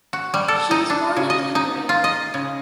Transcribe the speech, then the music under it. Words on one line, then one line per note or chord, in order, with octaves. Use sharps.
She was born in Tenerife.
F#4
G3
A4
D#4
D4
C#3
D#5
D#4
F4
D#5
C#3